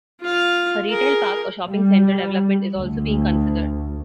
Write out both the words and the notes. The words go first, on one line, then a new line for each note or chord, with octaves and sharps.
A retail park or shopping centre development is also being considered.
F4 F5
G#4 A#4
G3
D2